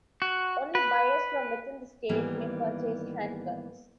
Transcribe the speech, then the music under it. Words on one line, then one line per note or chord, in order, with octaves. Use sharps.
Only buyers from within the state may purchase handguns.
F#4
B4
G#2 D#3 E3 G3 A#3 B3